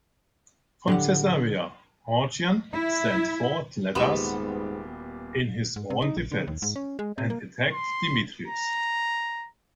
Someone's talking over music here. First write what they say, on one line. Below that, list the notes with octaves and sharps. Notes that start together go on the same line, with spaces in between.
From Caesarea Origen sent forth letters in his own defence, and attacked Demetrius.
A2 D3 G4 F#5
E4
D#1 G#2 B2 G3 B3 G4 C6 E7
G#2
C3
D#4
A#1
D3
D#2
G#2
C#4
G#3
C3
A#3
C6
A#5